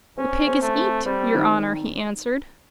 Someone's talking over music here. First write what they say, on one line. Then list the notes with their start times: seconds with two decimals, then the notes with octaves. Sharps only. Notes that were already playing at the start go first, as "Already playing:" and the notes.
"The pig is eat, your honor," he answered.
0.17 C4 C#4
0.47 C4
0.62 A3
0.76 C4
1.06 G3 C4
1.35 D#3